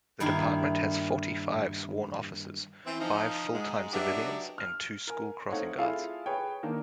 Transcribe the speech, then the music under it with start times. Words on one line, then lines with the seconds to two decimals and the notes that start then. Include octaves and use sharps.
The Department has forty-five sworn officers, five full-time civilians and two school crossing guards.
0.20 G2 D#3 A#3 E4
2.86 E3 C4
3.00 F3 D#4
3.54 G#2 G#3
3.93 F#3 D4 D#4 G4 B4 E5
4.58 F6
5.08 A#4 G#5
5.52 A3 C4 D#4 C#5 F5 F#5
5.78 E4 F4 G#4 A4 F5
6.26 G#4 B4 C#5 G5
6.63 D#3 A#3 D4